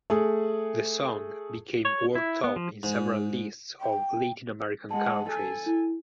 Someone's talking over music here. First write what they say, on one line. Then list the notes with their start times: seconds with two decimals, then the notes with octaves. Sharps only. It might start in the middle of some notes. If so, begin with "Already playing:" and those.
The song became world top in several lists of Latin American countries.
0.10 A3 G#4
1.85 C#5
2.15 E4
2.44 B3
2.56 F3
2.83 G#2
3.81 G5
4.91 G#3 F#5 A5
5.29 A4 G#5
5.66 E4